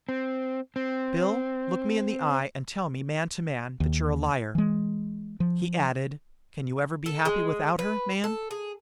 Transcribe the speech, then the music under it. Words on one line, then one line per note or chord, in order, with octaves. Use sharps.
"Bill, look me in the eye and tell me, man to man, that you're a liar!" He added: "Can you ever be happy without her, man?"
C4
C4
D#2
E3 G#3
F3
A4
G#3
B4
A4
G#4